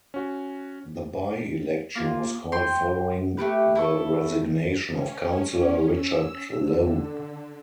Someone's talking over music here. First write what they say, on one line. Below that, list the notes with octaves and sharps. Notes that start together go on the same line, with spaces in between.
The by-election was called following the resignation of Councillor Richard Lowe.
C#4 F#4
A#3 F4
G5 C6
A3 C#4 G4 B4
E4 A4 C#6
C#4
E6
D3